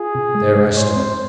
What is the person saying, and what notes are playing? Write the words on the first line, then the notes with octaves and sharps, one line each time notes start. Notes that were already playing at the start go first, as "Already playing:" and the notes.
There I stopped.
Already playing: F4 G#4
C3
G#3
G#3
C5 C#5
C4